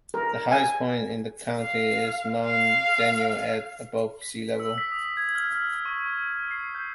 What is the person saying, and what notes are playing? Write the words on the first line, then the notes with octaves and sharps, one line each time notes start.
The highest point in the county is Mount Daniel at above sea level.
A#4
G#5
F5
F5
B6
E6
B6
D#6
G#6
F6
F6
C#6
C#6
C7
G6